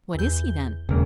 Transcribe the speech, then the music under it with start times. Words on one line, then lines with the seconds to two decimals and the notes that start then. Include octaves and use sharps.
"What is he, then?"
0.15 E2 G6
0.89 E1 C#3 A#3